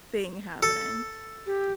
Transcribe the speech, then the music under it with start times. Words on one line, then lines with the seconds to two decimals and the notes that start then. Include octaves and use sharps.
thing happening.
0.63 A4
1.47 G4